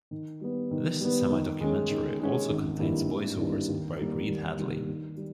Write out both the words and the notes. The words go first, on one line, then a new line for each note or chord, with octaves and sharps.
This semidocumentary also contains voice-overs by Reed Hadley.
D#3
G3 B3
D#3
G3 B3
D#3
G#3 C#4
D#3
G#3 C#4
G#1
G2 D#3 A#3 E4
G#1
G2 D#3 A#3 E4
D#2
D#3 G3 A#3 D#4
D#2
D#3 G3 A#3 D#4
D#3
G3